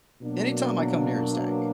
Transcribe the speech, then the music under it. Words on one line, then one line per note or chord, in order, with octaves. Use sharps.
any time I come near his tank,
B2 F#3 A#3 D4